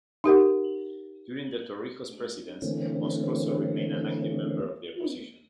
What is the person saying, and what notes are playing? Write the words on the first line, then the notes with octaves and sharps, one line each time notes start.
During the Torrijos presidency, Moscoso remained an active member of the opposition.
D#4 G4 A#4 F#5
D3 E3 A3 A#3 C4 C#4